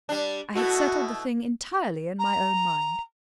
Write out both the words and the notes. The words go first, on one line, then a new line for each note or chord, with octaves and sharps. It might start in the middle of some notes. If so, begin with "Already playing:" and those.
I had settled the thing entirely in my own mind.'
G3 D4
B2 A3 E4 F#4
A#5